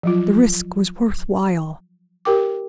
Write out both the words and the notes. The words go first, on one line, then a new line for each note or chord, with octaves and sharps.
The risk was worth while.
F3 F#3 F4
G4 A#4 G5 D6